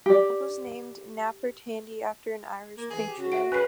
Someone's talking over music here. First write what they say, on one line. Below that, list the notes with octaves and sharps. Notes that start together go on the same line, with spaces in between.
The club was named Napper Tandy after an Irish patriot.
G4 D5
A#3
E3 G#4
G4
C#3 F#4
E5 F#5 D7
C#3 B4 G#5 C7